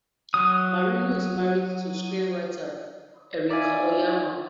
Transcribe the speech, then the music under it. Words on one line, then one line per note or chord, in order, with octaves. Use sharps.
Marino is married to screenwriter Erica Oyama.
F#3 D#6
D#4 D5 E5 F5 G#5